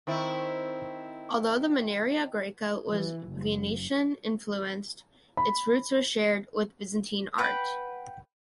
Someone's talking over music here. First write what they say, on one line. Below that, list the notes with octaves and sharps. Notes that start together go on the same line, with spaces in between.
Although the maniera greca was Venetian influenced its roots are shared with Byzantine art.
D#3 C4 E4
E3
F#1
B5
B4 F#5 G5